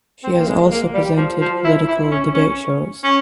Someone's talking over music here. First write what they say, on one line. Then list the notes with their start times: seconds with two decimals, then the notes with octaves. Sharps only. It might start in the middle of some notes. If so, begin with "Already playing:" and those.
She has also presented political debate shows.
0.24 C4
0.38 A#3
0.48 G#3
0.71 A#3
0.94 G3
1.17 F3
1.41 F3
1.64 E4
1.87 E4
2.11 C#4
2.34 C#4
3.04 C#4